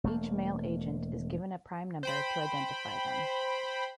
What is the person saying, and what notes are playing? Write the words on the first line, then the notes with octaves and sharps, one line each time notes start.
Each male agent is given a prime number to identify them.
E1 A3 A#3
C5 G5 B5